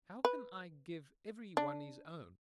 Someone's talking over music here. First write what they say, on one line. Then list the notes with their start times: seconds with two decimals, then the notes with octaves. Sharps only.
How can I give every one his own!
0.25 B4
1.57 D4